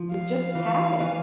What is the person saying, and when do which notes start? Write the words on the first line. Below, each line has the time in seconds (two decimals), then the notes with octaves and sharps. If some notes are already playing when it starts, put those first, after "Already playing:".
You just pat him.
Already playing: F3
0.11 F5
0.55 E3
1.00 E3